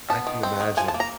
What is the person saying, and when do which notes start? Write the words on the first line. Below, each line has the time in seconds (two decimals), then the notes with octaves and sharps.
I can imagine.
0.10 B3 A5
0.27 D#3
0.43 C4
0.60 D#3
0.77 F3 G#5
0.88 A5
0.94 A#3
1.00 A#5